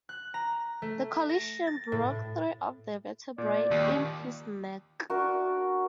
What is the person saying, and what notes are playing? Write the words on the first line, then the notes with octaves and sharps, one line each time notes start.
The collision broke three of the vertebrae in his neck.
F#6
A#5
A3
A#6
A6
A2
A#2 D5
D#2
D4 F#4 A#4